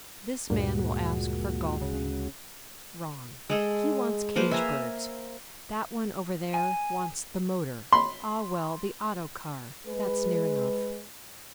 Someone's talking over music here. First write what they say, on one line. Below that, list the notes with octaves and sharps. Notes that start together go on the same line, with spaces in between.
This man will ask for Golfing--wrong, he wants Cage Birds; that one over there wants The Motor--ah, well, The Auto-Car, that's near enough.
D2 G2 A#2 G#3 F#4
C#3
G#3 G#4 A4
F3 A#3 B4 C5
E5 G#5 A#5
G#5
B5 C6
G#3 B4